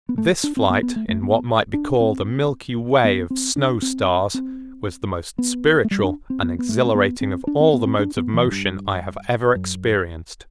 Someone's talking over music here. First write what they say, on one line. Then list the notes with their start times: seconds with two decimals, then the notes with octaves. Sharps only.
This flight in what might be called a milky way of snow-stars was the most spiritual and exhilarating of all the modes of motion I have ever experienced.
0.09 B3
0.18 A3
0.44 D4
0.57 C4
0.70 B3
0.83 B3
0.96 A3
1.09 A3
1.22 B3
1.74 D4
2.00 C4
3.05 B3
3.30 C4
3.56 D4
3.82 C4
4.34 C4
5.38 B3
5.84 A3
5.91 G3
6.04 D4
6.30 C4
6.43 B3
6.59 B3
6.69 A3
6.85 C4
6.95 B3
7.21 C4
7.47 D4
7.60 C4
7.73 B3
7.86 C4
7.99 D4
8.16 B3
8.34 E3
8.45 F#2
8.51 G2
9.56 F#2